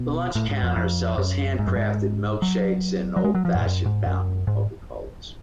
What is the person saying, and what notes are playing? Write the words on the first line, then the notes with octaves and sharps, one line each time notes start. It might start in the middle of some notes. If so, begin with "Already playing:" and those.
The lunch counter sells hand-crafted milk shakes and old-fashioned fountain Coca-Colas.
Already playing: B2
A2
G#2
F2
F2
F#2
G#2
F#2
G#2
F#3
F#3
G#3
F#3
F3
F#2
G#2
F#2
G#2
F#2
G#2